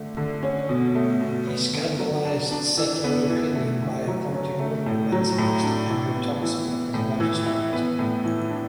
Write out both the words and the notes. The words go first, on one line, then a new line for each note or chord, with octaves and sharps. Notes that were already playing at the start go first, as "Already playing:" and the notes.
He scandalised settler opinion by appointing another emancipist, Andrew Thompson, as a magistrate.
Already playing: D3 A3
D3
C#4
B2
A3
B2
B3
D3
F#3
D4
D4
E3
B3
E3
A3
D3
F#3
C#4
A3
A2
F#3
A2
D4
E3
B3
E3
B3
A2
E3
E4
B3
A2
E3
D4